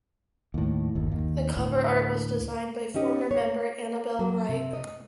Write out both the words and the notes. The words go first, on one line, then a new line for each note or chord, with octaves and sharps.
The cover art was designed by former member Annabel Wright.
D#2 A2
G1 D#2
D#2
D2 A2
C#4 D#4 G4 D#5
C#5
F#3 A#3 A4
C3
D#5